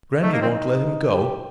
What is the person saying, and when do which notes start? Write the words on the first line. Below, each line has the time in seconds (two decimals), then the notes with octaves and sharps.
Grannie won't let him go.
0.23 A3 D#4
0.33 A#3
0.42 C4
0.51 D#4
1.10 G4